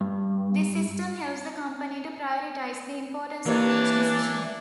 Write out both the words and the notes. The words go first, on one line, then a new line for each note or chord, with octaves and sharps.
This system helps the company to prioritise the importance of each decision.
G2
E3 A#3 D4 G4 B4 C#5